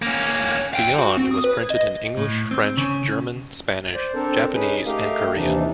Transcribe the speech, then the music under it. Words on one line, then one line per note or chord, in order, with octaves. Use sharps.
"Beyond" was printed in English, French, German, Spanish, Japanese and Korean.
A#3 C#4
F5 G5
F#4
C4
D#6
B4
G#6
D#5
A2
C4
C#3
C5 D5
C4 D4 A4 A#4
C#4 D#4 G#4 B4
A3 G4 A#4 D#5 F5
D#2 C3 E3 D4 D#4